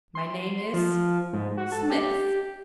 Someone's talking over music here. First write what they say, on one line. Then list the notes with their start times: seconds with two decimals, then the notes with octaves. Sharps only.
"My name is--Smith."
0.15 C6
0.73 F3
1.33 G#2
1.57 F#4
1.72 A4
1.90 G4